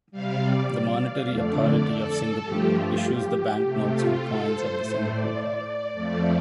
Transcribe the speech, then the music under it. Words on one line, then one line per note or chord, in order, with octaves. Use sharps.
The Monetary Authority of Singapore issues the banknotes and coins of the Singapore dollar.
C3 G3 F5
D5
D5
F5
F2 D3 A3 D5
A4
G2 F3 A3 G4
F4
G4
C3 A3 G4
F4
A4
C5
A2 A3 C5
D5
F2 F3 A3 D5